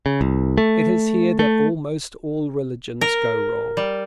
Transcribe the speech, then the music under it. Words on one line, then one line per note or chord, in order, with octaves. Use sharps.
It is here that almost all religions go wrong.
C#3
C2
A3
A3
A#4
G3